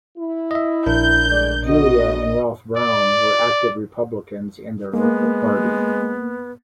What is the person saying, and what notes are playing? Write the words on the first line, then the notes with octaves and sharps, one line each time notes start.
Julia and Ralph Brown were active Republicans in their local party.
E4
D#5 E5
A#1 D4 A#4 G6
A2 G#3 D5
A2 B3 F#4 D#5
D5
G#3 A#3 B3